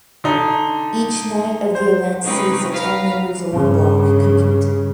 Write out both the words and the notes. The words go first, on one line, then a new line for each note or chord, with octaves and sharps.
Each night of the event sees the ten members of one block compete.
D3 D#4
C5
C3 G#3 C4 C#4 D#4 B4
B4 F5 A#5
G2 C#3